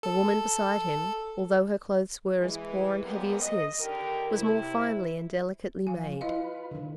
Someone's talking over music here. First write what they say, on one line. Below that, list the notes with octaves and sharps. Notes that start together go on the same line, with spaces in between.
The woman beside him, although her clothes were as poor and heavy as his, was more finely and delicately made.
A4
E3 G#3
F#2 G3 G#3 A#3 B3 B4
D#5
D3 D#3 G4 A#4
C3 E4
F3 F5 G#5
E4 F4 B4 D#5 F5
D3 D#3